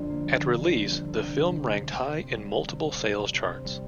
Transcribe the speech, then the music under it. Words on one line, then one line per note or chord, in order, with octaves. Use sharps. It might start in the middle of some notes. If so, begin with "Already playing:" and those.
At release, the film ranked high in multiple sales charts.
Already playing: F2 D3
A#3
G3
D3
F2
A#3
G3
D3
C3
C3
C4
G3
C3
C3
C4
G3
C3
C3
C4
G3
C3
C3
C4
G3